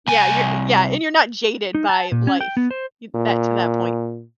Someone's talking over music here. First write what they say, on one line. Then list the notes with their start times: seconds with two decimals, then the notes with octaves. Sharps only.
yeah, you're y yeah, and you're not jaded by life y that to that point.
0.08 C2 G#5
1.75 D#4
1.89 A5
2.12 A#2
2.27 C#4
2.41 G5
2.57 B3
2.71 C5
3.15 A#2